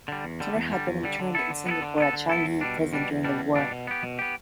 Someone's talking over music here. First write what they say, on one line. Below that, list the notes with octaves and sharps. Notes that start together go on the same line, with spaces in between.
Turner had been interned in Singapore at Changi Prison during the war.
D3 G3
E2
D3 G3
E2
D3 G3
E2
D3 G3
D3
B3 E4 A4
D3
B3 E4 A4
D3
B3 E4 A4
D3
B3 E4 A4
E2
B2 G3 D4
E2
B2 G3 D4
E2
B2 G3 D4
E2
B2 G3 D4
B2
B3 G4
B2
B3 G4